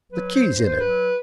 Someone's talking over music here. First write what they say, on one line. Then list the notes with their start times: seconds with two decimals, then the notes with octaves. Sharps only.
"The key's in it."
0.11 F#3 B4
0.34 C5
0.46 G2
0.57 C5
0.79 F#3 B4